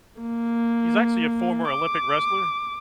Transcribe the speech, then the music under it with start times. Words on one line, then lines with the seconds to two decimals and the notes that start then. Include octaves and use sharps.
he's actually a former Olympic wrestler.
0.21 A#3
1.70 D6